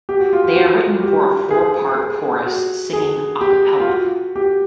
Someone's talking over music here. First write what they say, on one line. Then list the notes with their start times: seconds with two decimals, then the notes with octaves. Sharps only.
They are written for a four-part chorus singing "a cappella".
0.09 G4
0.20 F#4
0.33 F4
0.43 F#4
0.56 F#4
1.03 G4
1.51 G#4
1.98 G#4
2.46 F#4
2.93 G#4
3.41 G4
3.80 F4
3.87 F#4
4.36 G4